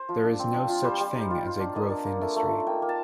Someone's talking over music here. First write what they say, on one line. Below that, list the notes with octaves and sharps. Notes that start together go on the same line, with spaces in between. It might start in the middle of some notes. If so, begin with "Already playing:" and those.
There is no such a thing as a growth industry.
Already playing: C5
F3
D4
C4
F3
F4
G3 C5
G3
D#4
F4
F4
D4
A#3 D#5
D4
A#3
A3
A3
D#4
A#3 G5
A#3
A5